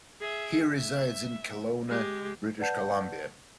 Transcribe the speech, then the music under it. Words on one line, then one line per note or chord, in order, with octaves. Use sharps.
He resides in Kelowna, British Columbia.
G#4 E5
E5
G#3 G4
B4 D5 F#5 A5 G6